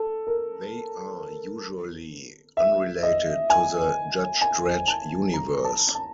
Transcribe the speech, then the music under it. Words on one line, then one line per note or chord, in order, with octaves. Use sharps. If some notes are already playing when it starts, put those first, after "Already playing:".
They are usually unrelated to the Judge Dredd universe.
Already playing: A4
A#4
E5
D#5
G#5
G#5
A5
A#5
A5
A5